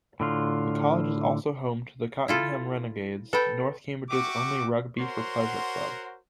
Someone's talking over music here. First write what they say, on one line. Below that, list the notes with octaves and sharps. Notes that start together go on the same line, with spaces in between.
The college is also home to the Cottenham Renegades, north Cambridge's only rugby-for-pleasure club.
A2 D3 F4
E4 F4 A4
A4 B4 G5 B5
F#4 G4 E5 C#6 D6
F#4 A#4 C5 C#5 F#5 C6